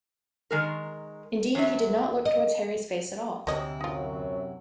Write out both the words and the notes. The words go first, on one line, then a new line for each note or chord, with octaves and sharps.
Indeed, he did not look towards Harry's face at all.
D#3 G#3 A#4
E2 F#3 E5
D#5
D2 G#2 C3 E4 F#4 C#5 D#5
F#2 F#3 D#4 F4